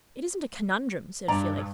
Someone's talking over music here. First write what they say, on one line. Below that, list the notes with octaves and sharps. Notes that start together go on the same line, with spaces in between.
"It isn't a conundrum," said Felix.
G2 D5 A#5